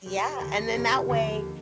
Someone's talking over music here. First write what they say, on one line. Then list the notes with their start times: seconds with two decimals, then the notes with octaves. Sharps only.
Yeah, and then that way
0.06 F1 G4
0.40 D#2 D3 G4
0.74 F1 A#4
1.09 D#2 D3